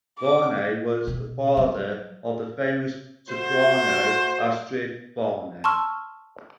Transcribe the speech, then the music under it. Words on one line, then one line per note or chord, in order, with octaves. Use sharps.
Varnay was the father of the famous soprano Astrid Varnay.
D6
B2
F#3
A3 F#4 C5
A5 C6 C#6 E6 F6